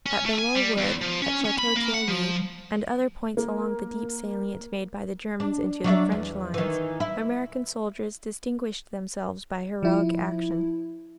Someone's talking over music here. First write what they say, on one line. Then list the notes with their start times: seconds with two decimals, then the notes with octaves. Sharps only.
At Belleau Wood, at Chateau-Thierry, and other points along the deep salient made by the Germans into the French lines, American soldiers distinguished themselves by heroic action.
0.06 C#4
0.26 A3
0.39 G#5
0.55 G3
0.78 E2
1.02 F3
1.22 C#4
1.45 C#4
1.58 B5
1.76 A#3
1.94 F#5
2.08 F3
3.37 A#3
5.40 D4
5.84 F#3 D4 E5
6.12 E2
6.54 D#3 E3
7.00 E4
9.83 F3 E4